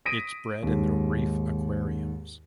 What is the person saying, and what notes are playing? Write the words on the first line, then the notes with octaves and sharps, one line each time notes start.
It’s bred in the reef aquariums.
D#6 A#6 B6 D7 D#7
D#2 G#2